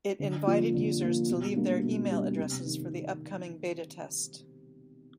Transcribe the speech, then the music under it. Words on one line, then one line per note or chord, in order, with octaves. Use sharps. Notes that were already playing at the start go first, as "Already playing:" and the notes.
It invited users to leave their email addresses for the upcoming beta test.
D3
F3 A#3
D3
F3 A#3
B2
G3 A#3 D4
B2
G3 A#3 D4
C3
D#3